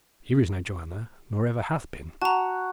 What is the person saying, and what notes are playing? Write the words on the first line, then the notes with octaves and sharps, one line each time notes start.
Here is no Joanna, nor ever hath been.
F#4 A5 A#5